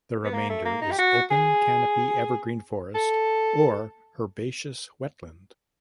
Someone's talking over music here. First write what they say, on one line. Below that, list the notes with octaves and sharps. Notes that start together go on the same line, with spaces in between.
The remainder is open canopy evergreen forest or herbaceous wetland.
B3
A#3
A3
A#3
D#4
G4
F#4
G#4
A4